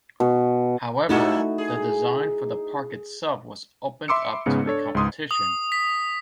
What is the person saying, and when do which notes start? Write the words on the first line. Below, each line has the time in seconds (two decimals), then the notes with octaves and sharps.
However the design for the park itself was opened up to a competition.
0.20 B2
1.09 G3 A3 A#3 D#4 E4 F#4 A4
1.58 G#4
4.08 E5 B5 C6 D6 E6 C#7
4.46 G#2 C#3 B3 C#7
4.66 D4 A4 C#5
4.95 C#2 G#2 C6 D#6
5.31 D#6
5.72 B6